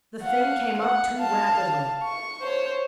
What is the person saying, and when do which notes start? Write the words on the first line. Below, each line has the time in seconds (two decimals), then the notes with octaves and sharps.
The thing came up too rapidly.
0.22 F5 F#5
0.79 F#5
1.17 F5 A5
2.03 C#6
2.41 C5 C#5